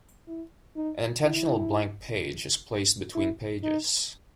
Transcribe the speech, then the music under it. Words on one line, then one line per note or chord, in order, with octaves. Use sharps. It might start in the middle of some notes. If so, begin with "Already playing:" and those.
An intentional blank page is placed between pages.
E4
D#4
E4
E4
D#4